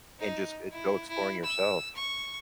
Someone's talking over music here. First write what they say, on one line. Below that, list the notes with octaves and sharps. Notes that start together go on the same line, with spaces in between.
and just g go exploring yourself
D#4
E4
E4
E6
C#6